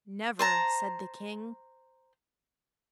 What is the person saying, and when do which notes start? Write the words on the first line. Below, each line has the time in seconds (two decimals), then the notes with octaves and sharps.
"Never!" said the King.
0.39 C5 A5 A#5